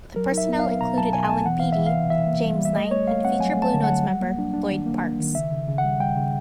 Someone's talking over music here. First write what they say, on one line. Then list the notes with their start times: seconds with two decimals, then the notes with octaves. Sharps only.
The personnel included Allen Beatty, James Knight, and future Blue Notes member Lloyd Parks.
0.16 F#3 A#4
0.32 D#4
0.38 E5
0.49 B3
0.59 F#3 F5
0.81 B2 A#5
0.97 F#3 A5
1.13 B2 G#5
1.24 G#5
1.29 B3 A5
1.46 E3 F#5
1.60 E3 F5
1.72 E5
1.78 E3
1.86 F5
1.95 C3
2.10 E3 E5
2.27 A#3
2.44 G3
2.59 G3
2.65 E5
2.76 A3 D#5
2.91 A3 C#5
3.08 A3 F5
3.24 C4 F#5
3.40 F#3 G#5
3.57 A3
3.62 A5
3.74 D3
3.84 F#5
3.90 F#3
4.05 G3
4.21 A#3
4.39 D4
4.54 D4
4.71 D#3
4.86 A#3
5.03 A#3
5.19 D#3
5.35 C#3 E5
5.52 C#3
5.68 C#3
5.78 F#5
5.84 G3
6.00 G3 G5
6.16 C#3